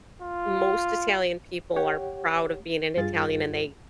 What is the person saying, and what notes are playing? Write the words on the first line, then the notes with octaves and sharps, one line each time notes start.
most Italian people are proud of being an Italian and they
F4
G4 C#5 F#5 G5
G2 F4 G#4 A6